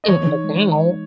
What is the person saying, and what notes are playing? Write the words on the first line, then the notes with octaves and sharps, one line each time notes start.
out and about.
D#5
E3 C#5
D#4
G#3